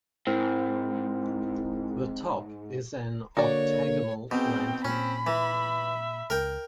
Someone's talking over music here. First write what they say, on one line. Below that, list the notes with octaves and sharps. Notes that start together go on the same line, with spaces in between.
The top is an octagonal lantern.
G#2 C4 E4 A#4
D3 A#3 F#4 C#5 D5
B2 C4 G#4 G5
A#2 C4 C#4 B5
E3 E5
C#2 A#4 G5